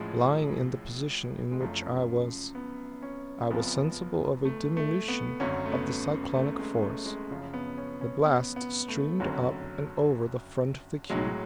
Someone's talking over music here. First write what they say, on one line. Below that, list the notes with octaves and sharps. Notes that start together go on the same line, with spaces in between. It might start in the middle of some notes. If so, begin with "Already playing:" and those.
Lying in the position in which I was, I was sensible of a diminution of the cyclonic force; the blast streamed up and over the front of the cube.
Already playing: A1 A2 F3 G#3
G#3
F#1 F#2 F3 A3
B3
C#4
F#1 F2 F3 B3
A3
A3
B3
G#1 F#2 D3 F#3 C#4
A3
B3
A3
G#3
A3
G#3
F#1 F#2 C#3 F3
B3
C#4
C#4
B3
B3
A3
F#1 F2 D3 F#3
B1 A2 F#3 G#3